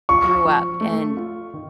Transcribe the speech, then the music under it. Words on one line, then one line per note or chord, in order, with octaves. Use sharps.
grew up, and,
F4 C#6
F3
A3
F4
D#3